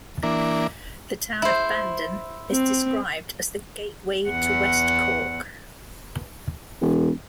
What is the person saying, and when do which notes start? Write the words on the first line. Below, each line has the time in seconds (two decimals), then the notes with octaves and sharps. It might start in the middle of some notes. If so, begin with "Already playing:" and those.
The town of Bandon is described as the "Gateway to West Cork".
0.23 E3 A#3 D4
1.42 E4 C5
2.50 C4
4.29 E2 F#5
6.81 E1